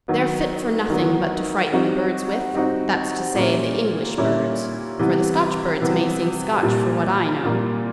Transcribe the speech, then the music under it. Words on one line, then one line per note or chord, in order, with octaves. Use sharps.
They're fit for nothing but to frighten the birds with--that's to say, the English birds, for the Scotch birds may sing Scotch for what I know.
D#3 F#3 B3
D#3 F#3 B3
G3 C4 D#4 F#4
G3 C4 D#4 F#4
A#2 G3 A#3 C#4 E4
A#2 G3 A#3 C#4 E4
C3 E3 G3 B3
C3 E3 G3 B3
A#2 G3 A#3
A#2 G3 A#3